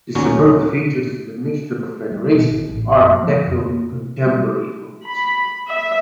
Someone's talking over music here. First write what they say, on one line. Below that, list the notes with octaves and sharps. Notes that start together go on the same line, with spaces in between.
The suburb features a mixture of Federation, Art Deco and contemporary homes.
D#2 A#2 F#3 C#4 A#5
G3
B2
G#1
A1
F#2
F3
F2
A#3
C3
G3
B5
E5